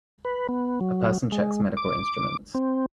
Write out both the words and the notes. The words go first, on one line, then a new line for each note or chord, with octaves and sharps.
A person checks medical instruments.
B4
B3
F#3
G#3
D6
C4